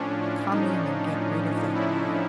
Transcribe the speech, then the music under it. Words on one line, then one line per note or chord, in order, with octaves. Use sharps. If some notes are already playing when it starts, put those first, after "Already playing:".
Come in and get rid of that worry."
Already playing: A2 F3 C#4 D4
D4
D#4
E4